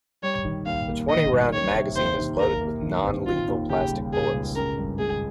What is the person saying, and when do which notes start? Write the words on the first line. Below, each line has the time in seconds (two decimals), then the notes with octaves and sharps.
The twenty-round magazine is loaded with non-lethal plastic bullets.
0.23 G3 C#5
0.45 D#3
0.66 D#2 F5
0.88 A#3
1.10 D#3 D#5
1.31 G3
1.53 G3 C#5
1.75 C3
1.96 D#2 C5
2.18 D#3
2.40 D#2 A#4
2.61 A#3
2.82 D#3
3.04 C4
3.27 D#3 F4
3.48 D#2
3.69 C#3 G4
3.91 G3
4.13 C#3 G#4
4.34 C#2
4.56 C#4 A#4
4.78 G2
4.99 G#3 G#4